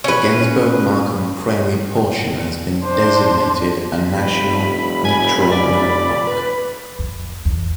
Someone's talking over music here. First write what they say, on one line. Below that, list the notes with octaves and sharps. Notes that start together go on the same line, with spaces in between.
The Gensburg-Markham Prairie portion has been designated a National Natural Landmark.
C#4 B4
D4 C5
F1 B5
G#5
D5
B4
F2
E2